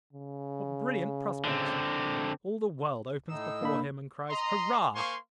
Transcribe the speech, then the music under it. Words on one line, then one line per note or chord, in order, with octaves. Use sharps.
What brilliant prospects!" All the world opens before him and cries, "Hurrah!
C#3
D3 C4
A2 D#4 E6
A#3 D4 B5
D#5 A#5 C6
A#3 C5 F5 G#5 C6 C#6